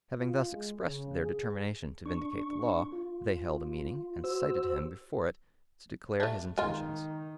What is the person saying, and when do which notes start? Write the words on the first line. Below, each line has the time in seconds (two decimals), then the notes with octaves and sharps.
Having thus expressed their determination to vindicate the law, they held a meeting, and cited him before it to declare his intentions.
0.18 F4
0.50 G#3
0.85 C#3
1.21 G#4
2.06 D4 C#6
2.92 F4
4.24 F#4 C5 E6
6.20 A3 D4
6.58 D#3 G#3 F4